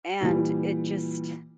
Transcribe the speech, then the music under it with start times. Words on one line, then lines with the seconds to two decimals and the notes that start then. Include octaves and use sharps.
and it just
0.21 A#2 E3 G3